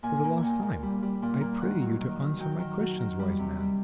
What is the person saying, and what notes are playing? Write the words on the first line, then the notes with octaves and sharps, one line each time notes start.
"For the last time, I pray you to answer my questions, wise man."
A#2 G#5
A#3
A#2 G5 G#5
A#2
G3
G3
A#2
A#3
D#3 F#5
F#3
D#3
D#3
F#3 G5
D#3
F#3
D#3
G3
C3
G3